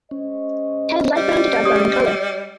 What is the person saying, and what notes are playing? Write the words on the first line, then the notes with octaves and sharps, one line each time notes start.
Head light brown to dark brown in color.
G#3 C#4 C5 D#5
G3
G4 D5 D#6